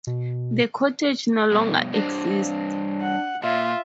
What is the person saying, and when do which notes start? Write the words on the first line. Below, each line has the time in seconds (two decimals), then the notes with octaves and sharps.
The cottage no longer exists.
0.07 B2
1.52 G2 B2
1.93 G2 C4 D4
3.02 F#5
3.43 A#2 F4 E5